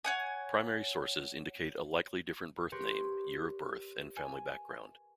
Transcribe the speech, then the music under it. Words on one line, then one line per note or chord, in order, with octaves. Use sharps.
Primary sources indicate a likely different birth name, year of birth and family background.
C#5 F#5 G#5
G4 A#4 B4 C#5 C6
G#5